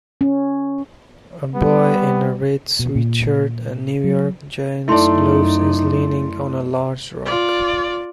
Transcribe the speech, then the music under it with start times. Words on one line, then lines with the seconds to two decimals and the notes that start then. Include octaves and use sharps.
A boy in a red sweatshirt and New York Giants gloves is leaning on a large rock.
0.21 C#4
1.55 G3 B3
2.79 B2
2.95 A#2
4.04 F#3
4.88 F#2 A3 D#4 E4 A4 D5 C6
7.25 F4 D5